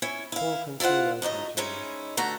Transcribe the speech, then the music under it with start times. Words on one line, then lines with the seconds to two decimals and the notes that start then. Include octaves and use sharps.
Poor Concino Concini!
0.02 C#4 E4 G#5
0.32 E4 F5
0.80 E4 F4 C5 F5 F#5
1.22 F#2 A2 D#4 D#5
1.57 G#3 C#4 D#4 E4
2.17 D3 A3 F#4 B4 A#5